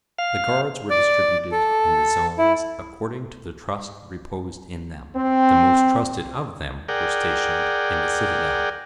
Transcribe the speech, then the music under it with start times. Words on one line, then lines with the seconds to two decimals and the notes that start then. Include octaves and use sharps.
The guards were distributed in the zones according to the trust reposed in them; the most trusted of them were stationed in the citadel.
0.18 F5
0.90 D5
1.52 A4
2.38 E4
5.14 C4
6.88 G#4 A#4 D5 F#5 G5